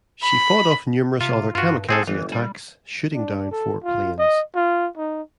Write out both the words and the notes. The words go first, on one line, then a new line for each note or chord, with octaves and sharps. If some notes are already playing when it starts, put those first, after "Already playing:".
She fought off numerous other kamikaze attacks, shooting down four planes.
B5
C3 F4
G2 F4 F#4
C4 G#4 A4
G1 E3
G3
D4
A4
F4
D#5
F4
D#4